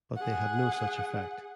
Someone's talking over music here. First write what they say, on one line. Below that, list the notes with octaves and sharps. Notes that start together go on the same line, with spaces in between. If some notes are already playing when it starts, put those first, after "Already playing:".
But they have no such effect.
G#4 F#5